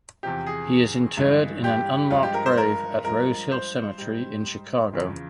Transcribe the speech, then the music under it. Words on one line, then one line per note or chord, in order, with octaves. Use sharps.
He is interred in an unmarked grave at Rosehill Cemetery in Chicago.
E2 C3 F3 G4
G#4
G2 E3 G#3
G4
G2 F3 G#3 F4
G4
A#4
C5
A#4
G2 F3 G#3 A#4
C5
G#2 G3
E2 C#3 F3